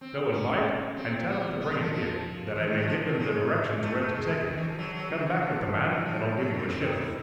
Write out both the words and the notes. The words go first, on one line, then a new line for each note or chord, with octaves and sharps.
Go and buy it, and tell 'em to bring it here, that I may give them the directions where to take it. Come back with the man, and I'll give you a shilling.
C4
C#4
C4
B3
B3
G3
E3
F3
F3
E3
D#3
G3
F3
F#3
G#3
A3
G#3
D#3
E3
F3
F#3
F#3
E3
E3
F3
E3
E3
F3
F#3
G3
C4
D#4
D#4
E4